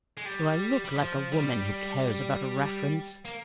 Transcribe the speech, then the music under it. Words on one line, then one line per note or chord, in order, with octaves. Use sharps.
'Do I look like a woman who cares about a reference?
G#3
G3
G3
F3
G3
A#3